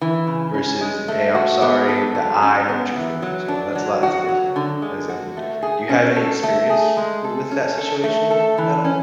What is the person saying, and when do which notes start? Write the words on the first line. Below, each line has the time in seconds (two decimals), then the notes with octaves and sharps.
versus, "Hey, I'm sorry that I hurt your feelings," you know, that's a lot it's a different. That's definitely different. Do you have any experience w with that situation at all?
0.01 E3
0.27 C#3
0.54 C#4
0.81 G#3
1.08 A3
1.35 F#4
1.62 B3
1.88 A4
2.15 F#3
2.42 C#4
2.69 B3
2.96 E3
3.22 F#3
3.48 D4
3.75 F#3
4.03 F#4
4.29 F#3
4.56 D3
4.82 G#3
5.09 F#4
5.37 A3
5.62 G#4
5.89 C#4
6.16 A4
6.43 A3
6.70 G#4
6.97 G#3
7.24 A4
7.51 C#4
7.78 A4
8.04 A3
8.30 A4
8.58 E3
8.84 C#4